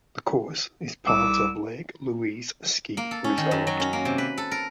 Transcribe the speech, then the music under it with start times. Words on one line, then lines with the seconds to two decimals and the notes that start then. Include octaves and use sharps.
The course is part of Lake Louise Ski Resort.
1.07 C2 D6 E6
2.97 A#3
3.11 A4
3.24 C#4
3.38 D#3
3.51 F#2
3.67 F#3
3.80 C#4
3.93 A#3
4.05 C3
4.18 B4
4.38 A4
4.51 A#4